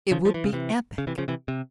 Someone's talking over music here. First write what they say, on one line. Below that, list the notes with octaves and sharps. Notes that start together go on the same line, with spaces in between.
It would be epic.
C#3 F3
F3
E3
C#3
C3 E3
C#3
C3 E3
C#3 F3
C3 E3
C3